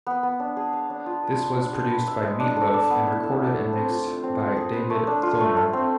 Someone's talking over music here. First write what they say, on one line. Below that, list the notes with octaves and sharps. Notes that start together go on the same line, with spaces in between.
This was produced by Meat Loaf and recorded and mixed by David Thoener.
B3
B3
D4
G#4
F5
D4
F4
B4
F5
D4
G#4
B4
E5
G#3
D4
A4
D5
B3
E4
A4
A3
A3
C4
F4
C4
C4
F4
G#4
B4
A3
D4
F4
A3
A3
C4